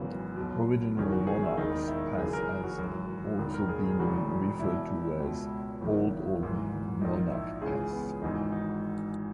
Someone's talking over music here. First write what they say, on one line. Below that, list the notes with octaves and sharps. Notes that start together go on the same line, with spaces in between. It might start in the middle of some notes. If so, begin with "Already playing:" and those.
Original Monarch Pass has also been referred to as Old Old Monarch Pass.
Already playing: G#1 F#2 C#3 E3 B3
B1 B2
F#1 E2 D#3 C#4
F#4
G#4
E4
E1 D#2 D#3 D#4
E4
F#1 F#2 C#3 E3 G#4
A#4
F#4
G#1 F#2 E3
E1 D#2 D#3
A#4
G#4
G#4
E1 E2 C#3 F#4
E1 E2 B2 E4
C#2 B2
F#1 E2 D#3
G#1 G#2 E3
A#1 A#2 D#4
E4
C#2 C#3 E3 G#4
B3
G#1 G#2 E3 D#4
D#4